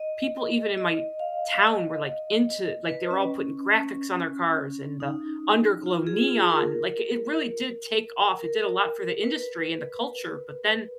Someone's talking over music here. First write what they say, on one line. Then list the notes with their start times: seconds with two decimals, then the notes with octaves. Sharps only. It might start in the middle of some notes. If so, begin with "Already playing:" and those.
people even in my town were, like, into, like, they were all putting graphics on their cars and the under-glow neon, like it really did take off. It did a lot for the industry and the culture, but then
Already playing: D#5
0.78 D#5
1.19 F5
1.62 D#5
2.89 B4
3.11 C#4
3.74 C#4
5.00 D#4
5.86 F4
6.07 G#4
6.28 F4
6.50 A#4
8.39 A#4
9.24 B4